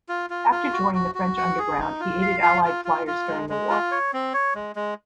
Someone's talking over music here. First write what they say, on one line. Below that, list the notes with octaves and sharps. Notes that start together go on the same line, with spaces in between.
After joining the French underground, he aided Allied flyers during the war.
F4
F4
F4
F#4
F#4
F#4
F#5
G#4
D#4
F4
F5
F4
F4
F4
F4
G#3
G#3
F4
C#5
C4
C#5
G#3
G#3